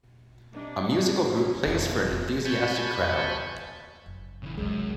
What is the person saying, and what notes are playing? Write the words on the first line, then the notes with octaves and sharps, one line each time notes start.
A musical group plays for an enthusiastic crowd.
C3 D4 D#4
A#2 C#4
F1 B2 F3 G#3
G#5 A5 B5 C#6 G6
F#1
C#3 E3
C2 F#2 C3 G#3